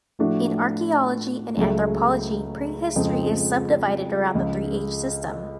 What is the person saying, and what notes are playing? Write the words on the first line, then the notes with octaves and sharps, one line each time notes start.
In archaeology and anthropology, prehistory is subdivided around the three-age system.
A2 F3 A3 D4 F#4
C#2 C#3 F#3 A3
F2 C#3 F3 G#3 C4
C#2 C#3 F3